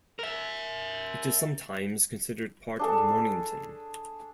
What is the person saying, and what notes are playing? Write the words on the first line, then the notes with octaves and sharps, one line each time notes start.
It is sometimes considered part of Mornington.
A#4 E5
D4 G#4 A4